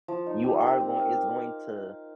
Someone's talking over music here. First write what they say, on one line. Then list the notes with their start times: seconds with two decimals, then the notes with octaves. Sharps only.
you are goin it's going to,
0.08 F3
0.27 D#4
0.44 G4
0.62 A#4
0.80 C4
0.99 F5